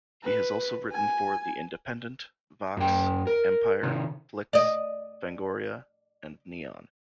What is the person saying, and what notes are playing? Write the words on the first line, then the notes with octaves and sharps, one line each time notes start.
He has also written for "The Independent", "Vox", "Empire", "Flicks", "Fangoria" and "Neon".
B4
G#5
F#2 G5
A#4
C3 D#3
D5 D#5